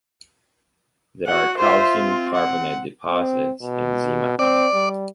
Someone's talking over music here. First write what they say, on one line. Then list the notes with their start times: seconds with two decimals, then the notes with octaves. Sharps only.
There are calcium carbonate deposits in Zimapan.
1.26 F#4 F#5
1.58 F4 C5 E5
1.96 C4
2.35 F#5
3.09 C4
3.63 B2
4.39 C4 D5
4.74 G3